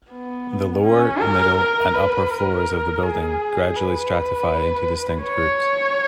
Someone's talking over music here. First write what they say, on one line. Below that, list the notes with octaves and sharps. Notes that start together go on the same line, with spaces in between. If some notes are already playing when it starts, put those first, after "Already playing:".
The lower, middle, and upper floors of the building gradually stratify into distinct groups.
B3
C#4
A#4
A#4
B4
A#4
G#4
B4
C#5